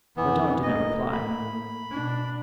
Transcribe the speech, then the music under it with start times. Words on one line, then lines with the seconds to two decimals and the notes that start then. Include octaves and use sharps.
Mordaunt did not reply.
0.17 F2 E3 B3
0.63 A2 A#3 D#5
1.13 B5
1.91 B2 D4